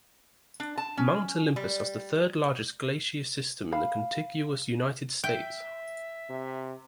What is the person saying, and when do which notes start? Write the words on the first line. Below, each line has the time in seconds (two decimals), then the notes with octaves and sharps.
Mount Olympus has the third largest glacier system in the contiguous United States.
0.60 D4
0.78 A5
0.97 C#4
1.56 G3
3.72 F5 B5
5.24 E5 G5
6.30 C3